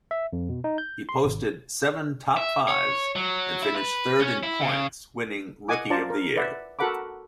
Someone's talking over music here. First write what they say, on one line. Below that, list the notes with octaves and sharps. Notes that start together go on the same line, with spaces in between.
He posted seven top-fives and finished third in points, winning Rookie of the Year.
E5
F2
B2
D#4
G6
C6
G#1
E5
C#5
F#3
E4
B4
C#4
E4
C#3
D#5 F#5 G#5 D6
F4 C5 D5 A5 A#5
A#4
B4 D5 E5 F#5
F#4 A4 A#4 F#5 B5 D6